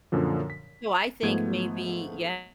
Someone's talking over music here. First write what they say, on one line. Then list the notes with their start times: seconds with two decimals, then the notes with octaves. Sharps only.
So I think maybe Yeah,
0.12 F#2 A#2 D3 F3
0.50 B6
1.23 G#2 F3 A3 B3 G#6